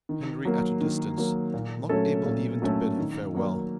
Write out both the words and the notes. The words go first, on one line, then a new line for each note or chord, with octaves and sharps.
Henry at a distance--not able even to bid him farewell.
D#3
F#3 A#3
D#3
F#3 A#3
A#2
F#3 A3 C#4 A4
A#2
F#3 A3 C#4 A4
D#3
F#3 A#3